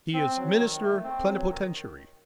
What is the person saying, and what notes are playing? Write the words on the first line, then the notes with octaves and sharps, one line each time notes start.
He is minister plenipotentiary.
C4
F#3
D#3
A3
C4
F#3
D#3